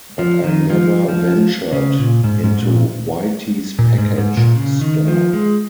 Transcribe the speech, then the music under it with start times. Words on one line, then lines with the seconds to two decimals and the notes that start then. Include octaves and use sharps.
But I never ventured into Whitey's package store.
0.19 F3
0.44 D#3
0.70 F3
1.08 F3
1.73 C#3
1.99 A#2
2.24 G#2
2.44 G#2
2.62 A#2
3.79 A#2
3.98 G#2
4.18 G#2
4.37 A#2
4.56 C#3
4.81 D#3
5.08 F3
5.33 G#3